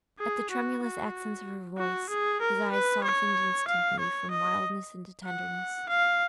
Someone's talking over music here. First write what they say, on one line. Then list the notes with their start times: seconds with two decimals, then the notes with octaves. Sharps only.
At the tremulous accents of her voice, his eyes softened instantly from wildness into tenderness.
0.20 G#4
0.51 F#4
0.83 F#4
1.78 F#4
2.09 G#4
2.41 A#4
2.72 B4
3.03 C#5
3.67 F5
3.99 C#5
4.31 D#5
5.25 F#5
5.89 F5